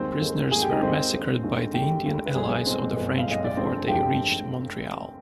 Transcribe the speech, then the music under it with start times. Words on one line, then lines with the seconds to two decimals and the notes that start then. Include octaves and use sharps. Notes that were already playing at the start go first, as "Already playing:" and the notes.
Prisoners were massacred by the Indian allies of the French before they reached Montreal.
Already playing: D#2 D#3 G#3 C4 C5
0.20 D#2 D#3 G#3
0.51 D#2 D#3 G#3 G#4 G#5
0.62 G4 G5
0.72 D#4 D#5
0.82 D#2 D#3 G#3 C4 C5
1.12 D#2 D3 G#3
1.43 D#2 D3 G#3
1.74 D#2 D3 G#3 G4 G5
2.05 D#2 D3 G#3
2.26 B4
2.35 B1 B2 G#3 G#4
2.50 B4
2.66 B1 B2 G#3 C4 C5
2.96 B1 B2 G#3 B4
3.18 F5
3.28 B1 B2 G#3 D#5
3.44 D5
3.57 F1 D#2 D3 F3 G#3 C4 C5
3.88 F1 D#2 D3 F3 G#3 G4 G5